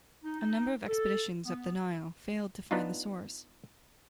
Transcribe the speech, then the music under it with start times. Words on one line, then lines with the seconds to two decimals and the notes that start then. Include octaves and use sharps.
A number of expeditions up the Nile failed to find the source.
0.24 D#4
0.40 D#4
0.88 A4
1.45 B3
2.71 B3 D4 D#4 F4